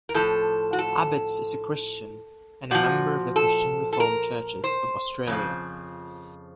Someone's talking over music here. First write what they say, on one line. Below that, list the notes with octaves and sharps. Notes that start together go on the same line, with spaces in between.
Abetz is a Christian and a member of the Christian Reformed Churches of Australia.
A#4
A2 F3 A4
F#4
A4
A#2 F3 F#4
A4
A4
A#4
C5
F2 C#3 F3